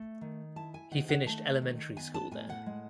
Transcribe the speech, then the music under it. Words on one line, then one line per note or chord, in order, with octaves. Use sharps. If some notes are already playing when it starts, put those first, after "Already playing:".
He finished elementary school there.
Already playing: A3
D#3
E4 A5
G#5
D#3 F#5
F#5
A3 A5
D#3
B3 G#5
A5
A2 G#5
F#5
G#3